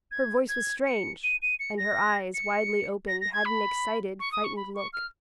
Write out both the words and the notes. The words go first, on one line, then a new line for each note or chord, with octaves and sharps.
Her voice was strange, and her eyes, widely opened, had an excited, frightened look.
G#6
G#6
C#7
D#7
D#7
C#7
A#6
C#7
A#6
A#6
G#6
B5
C#6
D#6
C#6
B5
C#6
F6